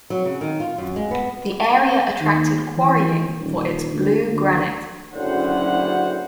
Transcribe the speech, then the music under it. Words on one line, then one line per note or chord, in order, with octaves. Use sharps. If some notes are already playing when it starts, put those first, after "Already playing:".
The area attracted quarrying for its "blue granite".
F#3
C#3
D#3
F4
F#2
G#3
B3
D#2
E3
D#1
D2
D2
F#1 F#2 A2 D3 C5 F#5